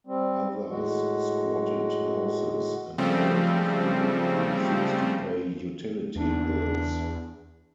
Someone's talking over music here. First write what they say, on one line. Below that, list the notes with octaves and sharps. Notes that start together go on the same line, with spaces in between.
Others squatted houses and collectively refused to pay utility bills.
G3 C4
A2 G#3 F#4
C#3 F3 G3 A3 C4
E2 D4